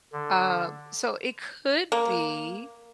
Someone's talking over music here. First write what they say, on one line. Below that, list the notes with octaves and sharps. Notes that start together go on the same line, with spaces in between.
uh, so it could be,
D3
A#3